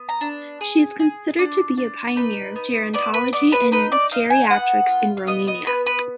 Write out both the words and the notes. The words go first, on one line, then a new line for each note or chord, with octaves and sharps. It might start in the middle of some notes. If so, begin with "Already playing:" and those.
She is considered to be a pioneer of gerontology and geriatrics in Romania.
Already playing: B3
A#5
D4
G#4
G#4
D4
D4
D#4 B4
B3
B3 D5
B4
B3 D5
B4
D#4 B4
D5
D#4 F5
G#5
B3 F#5
F4
F5
B3 D#5
D#5
B3 B4
B4